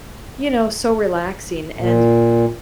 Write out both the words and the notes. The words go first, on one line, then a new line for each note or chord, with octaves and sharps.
you know, so relaxing, and
A#2